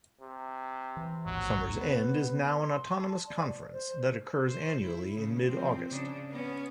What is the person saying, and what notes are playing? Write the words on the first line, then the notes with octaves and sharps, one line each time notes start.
Summer's End is now an autonomous conference that occurs annually in mid-August.
C3
E3
A1 D#2 G#2 F#3
B3
C6
A5
D5
C5
C5
E4
C#3 A3
F3 C4
C#3 D4
B3 C#4